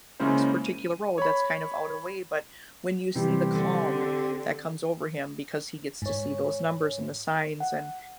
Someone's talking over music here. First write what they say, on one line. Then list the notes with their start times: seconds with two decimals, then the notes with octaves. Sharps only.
particular road that's kind of out of the way but when you see the calm that comes over him because he gets to see those numbers and the signs, and
0.20 C#3 G#3 A#3 C#4 E4 C5
0.66 D#7
1.18 C#5 B5
3.15 C3 E3 G3 C4 G4
3.51 D3
4.02 A4
6.02 G#2 C#5
7.60 F#5